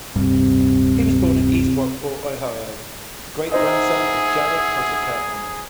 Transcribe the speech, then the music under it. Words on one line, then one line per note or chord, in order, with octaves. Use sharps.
He was born in East Rockport, Ohio, the great-grandson of Jared Potter Kirtland.
D1 G2 C3 G3
D#4 G#4 C5 D#5 E5 F#5